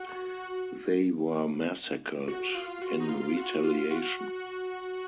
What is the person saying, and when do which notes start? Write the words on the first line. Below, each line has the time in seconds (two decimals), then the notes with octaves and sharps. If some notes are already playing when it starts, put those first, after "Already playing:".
They were massacred in retaliation.
Already playing: F#4
2.28 F#4
2.55 F4
2.82 F#4
3.00 D#4
3.09 F4
3.37 F#4
3.64 F4
3.91 F#4